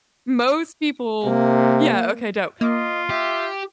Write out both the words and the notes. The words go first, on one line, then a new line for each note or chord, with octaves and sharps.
most people yeah, okay, dope
C3 A#3
A#3 F4 D#5
G4 E5